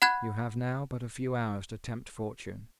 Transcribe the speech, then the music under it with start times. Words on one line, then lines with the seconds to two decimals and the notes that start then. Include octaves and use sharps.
You have now but a few hours to tempt fortune.
0.02 F#5 B5 F#6 G#6